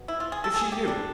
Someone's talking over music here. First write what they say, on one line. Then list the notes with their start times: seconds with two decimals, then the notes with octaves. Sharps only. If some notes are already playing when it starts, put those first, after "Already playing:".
If she knew!
Already playing: B2
0.08 E4
0.20 F4
0.32 G#4
0.44 A4
0.56 G#4
0.72 G4
0.88 D4